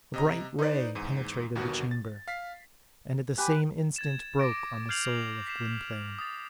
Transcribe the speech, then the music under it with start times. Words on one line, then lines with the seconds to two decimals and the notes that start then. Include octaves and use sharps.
A bright ray penetrated the chamber, and at the same instant broke on the soul of Gwynplaine.
0.14 C3 D#5 A#5
0.59 D#4 B4 C5 D5
0.95 E2 G#2 D#7
1.55 G1 D#2 B2 F#4 A#4 F#5
1.91 A6
2.28 F5 B6 C7
3.38 G4 B4 G#5
3.96 G#6 A6 E7
4.39 D6 A6 A#6 D7
4.89 F6 G6 G#6 C7 F7 F#7
5.47 B6 C7 E7
6.19 D#6 A6